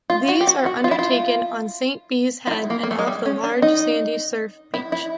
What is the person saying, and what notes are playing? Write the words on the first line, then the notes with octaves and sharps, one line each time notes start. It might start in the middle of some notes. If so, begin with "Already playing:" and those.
These are undertaken on Saint Bees Head and off the large sandy surf beach.
F4
F#4
G4
F#4
F#4
F4
E4
F4
F4
E4
A#3
A#3
A3
G#3
G3
C#4
D4
D#4
E4
E4